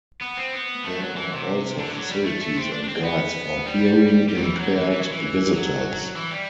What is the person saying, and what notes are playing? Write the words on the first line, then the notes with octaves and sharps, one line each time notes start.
There are also facilities and guides for hearing impaired visitors.
B3
C4
B3
A3
F#3
E3
C3
D3
E3
F#3
G3
A3
A3
C4
D4
D4
C4
B3
G3
G3
F#3
E3
F#3
E3
E3
F#3
E3
F#3
E3
G3